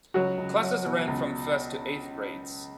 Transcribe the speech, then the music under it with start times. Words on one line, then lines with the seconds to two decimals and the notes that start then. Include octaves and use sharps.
Classes ran from first to eighth grades.
0.14 C#2 F#3 F#4
0.38 C#2
0.62 F#3
0.85 B2
1.08 C#2